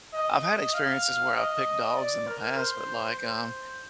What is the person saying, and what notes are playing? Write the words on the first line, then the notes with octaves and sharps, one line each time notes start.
I've had experiences where I've picked dogs in the past, but, like, um,
D#5
D#5
F5
D#5
D5
A#4
C5
C5